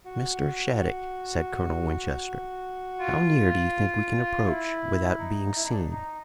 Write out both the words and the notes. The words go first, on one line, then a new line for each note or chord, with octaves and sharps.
"Mr. Shattuck," said Colonel Winchester, "how near do you think we can approach without being seen?"
F#4
F4
E4
D#4
E4
D#4
D4
D#4
D#4